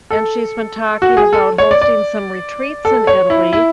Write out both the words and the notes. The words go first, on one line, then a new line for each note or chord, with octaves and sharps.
and she's been talking about hosting some retreats in Italy,
A4
F#4
G#4
A4
C#5
D5
D5
A4
C#5
E4
E4